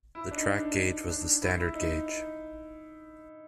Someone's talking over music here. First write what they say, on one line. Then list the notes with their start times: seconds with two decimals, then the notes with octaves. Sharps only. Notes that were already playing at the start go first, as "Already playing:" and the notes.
The track gauge was the standard gauge.
0.15 E4
0.31 D4
0.36 D#4
0.57 D4
0.78 D4
1.10 D4
1.42 E4
1.58 E4
1.75 D#4
2.06 D#4